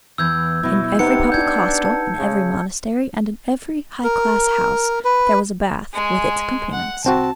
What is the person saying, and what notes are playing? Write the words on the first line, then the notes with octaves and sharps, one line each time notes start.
In every public hostel, in every monastery, and in every high-class house, there was a bath, with its accompaniments.
E2 E3 E6 G6 G#6
B2 F#3 E4
C3 D#4 G4 B4 F#5 C#7
D4 G6 G#6
A5
C#3
A#4
B4
G#3 G#5
F#5
C2 C4 F#4 A5